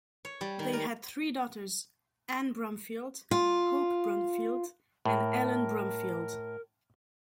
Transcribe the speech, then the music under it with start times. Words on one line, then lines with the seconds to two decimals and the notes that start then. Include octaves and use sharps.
They had three daughters, Ann Bromfield, Hope Bromfield and Ellen Bromfield.
0.25 C#5
0.41 G3
0.59 D#3
0.73 A#4
3.31 F4
5.06 A2 A#4